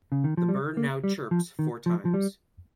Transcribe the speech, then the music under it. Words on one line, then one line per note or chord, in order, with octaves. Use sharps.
The bird now chirps four times.
C#3
D#3
F3
G3
A#3
G3
F3
D#3
F3
F3
G3